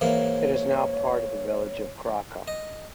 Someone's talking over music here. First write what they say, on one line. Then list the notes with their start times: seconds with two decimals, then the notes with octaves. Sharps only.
It is now part of the village of Krka.
0.01 G#2 E3 A#3 C#5
2.48 D#5